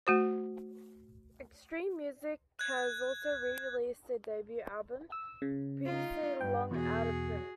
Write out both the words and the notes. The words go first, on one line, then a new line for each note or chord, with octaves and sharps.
Xtreem Music has also re-released the debut album, previously long out of print.
A3 F#4 C5
F#6 G#6
E6
C#3
D#4 F4
G2 G5
E2 B2 F#4 G#4